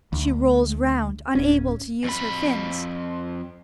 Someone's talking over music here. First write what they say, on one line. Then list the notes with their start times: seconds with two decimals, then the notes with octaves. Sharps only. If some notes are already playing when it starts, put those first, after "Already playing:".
She rolls round, unable to use her fins.
0.13 D2
1.35 D1 C#4
2.04 F2 B5